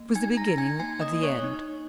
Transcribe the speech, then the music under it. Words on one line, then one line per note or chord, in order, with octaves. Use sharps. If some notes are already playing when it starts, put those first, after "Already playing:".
It was the beginning of the end.
Already playing: A#3
D#4 G#5 G#6
A#5 A#6
D#4
G#5 G#6
A#3 G#5 G#6
D#5 D#6
A#3
C#5 C#6
D#4